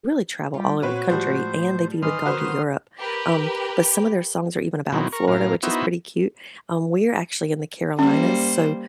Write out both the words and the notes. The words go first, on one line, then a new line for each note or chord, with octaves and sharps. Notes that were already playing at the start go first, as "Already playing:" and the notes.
really travel all over the country, and they've even gone to Europe, um, but some of their songs are even about Florida, which is pretty cute. Um, we're actually in the Carolinas, so,
G3 F4
A#2 C4 F#4 B4 C#5
A2 F3 G3 G#3 C5
D#3 E3 C6 D#6 F6
D#3 B3 F#4 B4 C5
G4 A#4 B4
B2 D#3 E3 F#3 C4
A#4 C#6
A2 A#4 F5
B3 D#4 E4 F#4 C5 E5
G3 A#3 C#4 C5